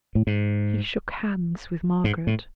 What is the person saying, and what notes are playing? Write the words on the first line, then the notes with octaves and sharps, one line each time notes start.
He shook hands with Margaret.
A2
G#2
G#2
A2